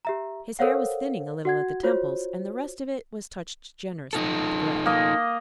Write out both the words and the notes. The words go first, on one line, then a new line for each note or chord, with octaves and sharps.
His hair was thinning a little at the temples and the rest of it was touched generously with grey.
G4 E5 A#5
A4 A#4 C5 C#5 F5 F#5
F#4 F#5 G#6
F4 F#4 C5 C#5
D#4 F4 A4
A#3 D#5